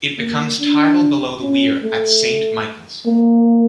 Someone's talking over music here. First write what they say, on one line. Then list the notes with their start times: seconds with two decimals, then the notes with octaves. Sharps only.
It becomes tidal below the weir at Saint Michael's.
0.18 A#3
0.60 D4
1.41 C#4
1.83 A3
3.06 A#3